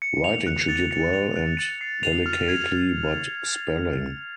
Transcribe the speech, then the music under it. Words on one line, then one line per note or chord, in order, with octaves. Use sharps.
Writing she did well and delicately — but spelling!
C#7
F7
F#6
A6
C#7
F7
F#6
A6
C7
F7
F6
G#6